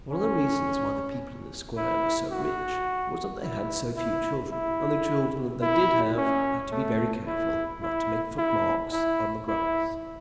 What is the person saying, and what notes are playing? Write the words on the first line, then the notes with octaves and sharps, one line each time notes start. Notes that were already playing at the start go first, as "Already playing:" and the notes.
One of the reasons why the people in the Square were so rich was that they had so few children; and the children that they did have had to be very careful not to make foot-marks on the grass.
C#4
E4
F#4
E4
E4
E4
E4
C#4
A3
E4
E4
E4
E4
E4